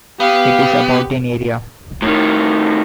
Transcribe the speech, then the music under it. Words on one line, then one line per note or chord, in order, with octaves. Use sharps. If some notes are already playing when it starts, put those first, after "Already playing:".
It is about in area.
B3 G4 F5
A2 D#3